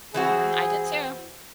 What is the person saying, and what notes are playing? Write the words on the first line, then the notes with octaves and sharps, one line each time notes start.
Mhm. I did too.
E3 C4 F#4 G#4